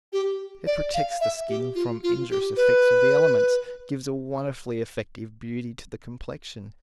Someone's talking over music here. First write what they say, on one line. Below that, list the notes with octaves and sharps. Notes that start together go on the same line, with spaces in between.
It protects the skin from injurious effects of the elements, gives a wonderfully effective beauty to the complexion.
G4
D5
F5
E5
G4
F4
F4
G4
B4